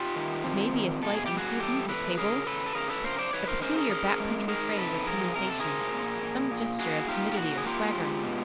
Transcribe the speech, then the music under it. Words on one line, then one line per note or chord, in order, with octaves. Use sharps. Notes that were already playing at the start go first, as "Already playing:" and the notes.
It may be a slight uncouthness at table, a peculiar back-country phrase or pronunciation, some gesture of timidity or swaggering.
Already playing: F4 G4
D#3
C4
D#3
B2 A4
G#4
G4
G3
F#4 G#4
E2 G4 A4
E2 A4 B4
C#3 G#4 A#4
C#3 A4 B4
A4
C#3 G#4 A#4
A4 B4
C#3 A#4 C5
C5 D5
D#3 B4 C#5
A#4 C5
C#4 A#4 C5
G#4 A#4
C#4 G#4 A#4
G#3
D#4 G#4 A#4
C3 A4 B4
F3 G#4 A#4
C3 A#4
A4
C4 G#4 A#4
A#2
A#2
A#2
A#3 F#4 G#4
D#4 F4 G4
F4
A#2 F#4
G#4
A#3 F4 G4
G#3
B2